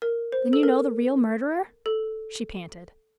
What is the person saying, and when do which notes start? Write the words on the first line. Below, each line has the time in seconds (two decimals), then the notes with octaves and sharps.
"Then you know the real murderer?" she panted.
0.02 A#4
0.32 C5
0.53 A4
0.63 A#4
1.86 A4